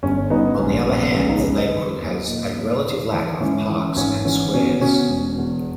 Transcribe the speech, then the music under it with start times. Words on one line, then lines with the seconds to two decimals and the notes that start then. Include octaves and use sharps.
On the other hand, the neighborhood has a relative lack of parks and squares.
0.03 G1 C#4
0.30 G2 B3 D#4
0.58 A#1 C#4
0.87 A#1 B3
1.16 C#2 C#4
1.29 B3 D#4
1.40 C#5
1.43 C#3 G#4 B4
1.58 B4 D#5
1.72 D#3
2.00 D#2
2.28 A#2
2.56 A#2
2.85 D#2
3.13 E3
3.41 G#2 C#4 E4
3.69 E3
3.96 G#1 C#4
4.25 E3 C#4
4.54 B2 C#4
4.81 B2 C#4
5.10 E1
5.38 E2